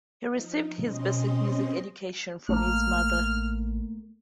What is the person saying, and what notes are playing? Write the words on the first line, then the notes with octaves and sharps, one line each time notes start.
He received his basic music education from his mother.
F3 D#4
B2 C4 C#4 D#5 C6
A1 A3 A#3 F6